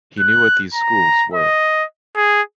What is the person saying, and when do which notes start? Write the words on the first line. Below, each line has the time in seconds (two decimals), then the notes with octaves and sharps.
He knew what these "schools" were.
0.20 F#6
0.74 A#5
1.34 D#5
2.16 G#4